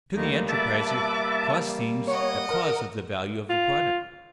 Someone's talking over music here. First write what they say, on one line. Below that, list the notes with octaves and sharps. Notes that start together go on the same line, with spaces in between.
To the enterpriser, cost seems the cause of the value of a product.
D2 D3 D#3 G3 A#3
B4 E5 A5 D6
C#5 D#5 F#5
A#4
F4